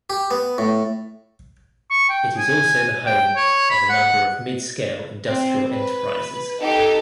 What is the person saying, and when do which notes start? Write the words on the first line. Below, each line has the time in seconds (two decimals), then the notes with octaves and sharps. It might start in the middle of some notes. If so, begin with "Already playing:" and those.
It is also the home of a number of mid-scale industrial enterprises.
0.10 G4
0.31 B3
0.58 A2
1.91 C#6
2.09 G5
2.38 G#5
3.06 G5
3.36 C#5
3.70 B5
3.89 F#5
5.26 C4
5.73 B4
6.60 D#4 G4 A4